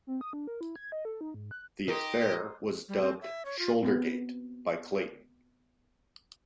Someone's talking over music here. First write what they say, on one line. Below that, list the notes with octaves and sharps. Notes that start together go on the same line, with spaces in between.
The affair was dubbed "Shouldergate" by Clayton.
C4
D#6
D4
A#4
E4
G#6
D#5
A4
D#4
G#2
F#6
D#4 G4 A#4 D#5 C6 D#6
G3
C4
E5
C#5
F4
B3 C4